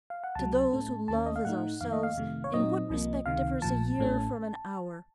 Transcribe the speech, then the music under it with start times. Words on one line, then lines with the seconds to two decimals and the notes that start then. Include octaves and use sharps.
To those who love as ourselves, in what respect differs a year from an hour?
0.10 F5
0.24 F#5
0.35 C#2 C3 F#3 A5
0.72 A2 A3 C#4
1.08 D#2 D#3 A#3 C#4 A5
1.26 D#5
1.36 F5
1.45 A2 A3 D#4 F#5
1.81 F2 D#3 A#3 F5
1.93 D#5
2.03 F5
2.17 F2 C3 D#3 A3
2.44 C#5
2.53 A#2 F#3 C4 D#4 D#5
2.90 C2 C3 F3 A#3
3.26 C#2 C3 D#3 F5
3.62 A#1 A#2 F3 A5
3.98 A1 A2 A3 C#4